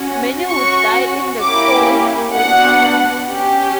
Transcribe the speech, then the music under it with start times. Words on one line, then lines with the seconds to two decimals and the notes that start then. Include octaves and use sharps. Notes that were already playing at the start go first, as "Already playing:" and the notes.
Many would die in the cold winter months.
Already playing: C#4 F#4
0.49 C#4 F#4 C#6
1.42 A#3 C#4 E4 G4 D6
2.35 B3 D4 F#4 F#5
3.28 C#4 G4